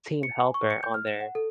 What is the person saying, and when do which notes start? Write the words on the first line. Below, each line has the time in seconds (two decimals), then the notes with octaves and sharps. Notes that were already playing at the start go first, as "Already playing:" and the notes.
team helper on there.
0.23 C#7
0.39 G#5
0.54 C#6
0.70 C#7
0.83 G6
0.94 F6
1.07 E7
1.20 F#5
1.35 A4